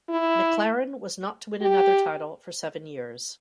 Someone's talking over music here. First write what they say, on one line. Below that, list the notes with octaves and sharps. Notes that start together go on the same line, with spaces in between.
McLaren was not to win another title for seven years.
E4
G4